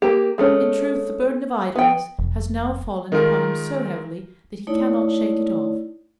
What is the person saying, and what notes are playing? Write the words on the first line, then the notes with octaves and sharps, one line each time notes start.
In truth the burden of idleness has now fallen upon him so heavily that he cannot shake it off.
A#3 G4
G#3 A3 C#4
B3 G5
F1
D#3 G#3 D#4 F4 A#4
A3 D#4 E4 C#5 D5